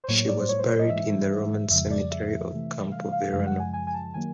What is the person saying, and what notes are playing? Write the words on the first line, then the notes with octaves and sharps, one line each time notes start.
She was buried in the Roman cemetery of Campo Verano.
C5
A2 F#3 A#3 C#5
D5
C5
C#5
C5
C#5
D#5
G#2 E3 G#3 E5
F2 C#3 F3 G#3 E5
D5
E5
C3 E3 A3
F5
F5
F#2 C#3 F3 G#3 F5
F#5
G#5
G#5
G#5
A5
D#3 F#3 A#3 G#5